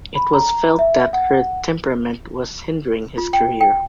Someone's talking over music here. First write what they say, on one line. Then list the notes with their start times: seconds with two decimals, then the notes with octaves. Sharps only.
It was felt that her temperament was hindering his career.
0.15 B5
0.34 A#5
0.79 E5
1.13 F#5
3.18 F4
3.33 G5
3.61 G5